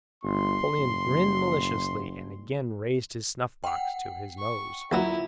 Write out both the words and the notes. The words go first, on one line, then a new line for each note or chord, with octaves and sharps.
Napoleon grinned maliciously and again raised his snuffbox to his nose.
G1 C6
F#1
F#5 G5
C#6
D#2 E3 F#3 E4 F4 A#5 B5